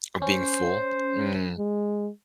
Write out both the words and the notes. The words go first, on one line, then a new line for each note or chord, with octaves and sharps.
Oh, being full? Mm.
C#4 C5
G#3